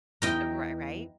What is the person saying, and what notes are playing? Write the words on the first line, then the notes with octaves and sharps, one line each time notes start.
uh, ri right?
E2 B3 E4 D#5 G5 A#5